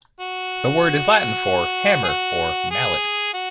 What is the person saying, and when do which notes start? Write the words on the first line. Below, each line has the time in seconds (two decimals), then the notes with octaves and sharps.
The word is Latin for "hammer" or "mallet".
0.20 F#4
2.04 G#4
2.09 F#4
2.71 G#4
3.34 F#4